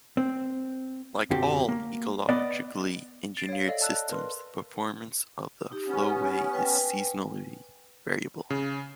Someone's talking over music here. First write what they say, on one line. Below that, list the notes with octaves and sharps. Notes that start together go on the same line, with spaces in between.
Like all ecologically engineered systems, the performance of the flow-way is seasonally variable.
C4
B1 F#2 D3 C4 F#4 G4
A#3
B3 D5 D#5
A6 C7 D7
C#5 F5
A4 D5 D#5 F5
D5 A5 E6 F#6
A#4 B4 C6
D#4 G4
B3 C#4
B4 G5 G#5
C#3